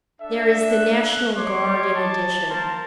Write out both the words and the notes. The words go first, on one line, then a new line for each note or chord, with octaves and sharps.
There is the National Guard in addition.
D4 A4 E5
F#6
C#5 D#5 C6 D6
A5
A#3 A#4 C5 A5